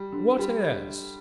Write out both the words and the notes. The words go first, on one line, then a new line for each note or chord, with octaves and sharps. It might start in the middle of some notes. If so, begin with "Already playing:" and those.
"What as?"
Already playing: G3
D3
G3